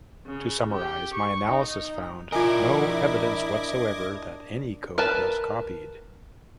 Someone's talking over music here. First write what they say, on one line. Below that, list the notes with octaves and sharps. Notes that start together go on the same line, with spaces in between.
To summarize, my analysis found no evidence whatsoever that any code was copied.
C#3
G4
C#6
D#4
D4 E4 F4 A#4 D#5 G#5 D6 G#6
A#4 B4 A5